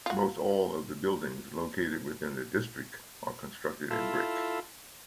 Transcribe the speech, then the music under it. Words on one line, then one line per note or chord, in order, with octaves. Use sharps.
Most all of the buildings located within the district are constructed in brick.
F4 F#4
E4 F4 A4